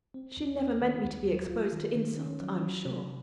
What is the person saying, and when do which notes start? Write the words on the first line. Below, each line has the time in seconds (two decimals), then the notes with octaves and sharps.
She never meant me to be exposed to insult, I am sure.'
0.14 C4
0.37 D#2
0.59 C4
0.82 D#3
1.04 D#2
1.28 F#3
1.50 F4
1.72 D#3
1.95 D#3
2.18 C#4
2.41 F#3
2.63 F#3
2.85 C3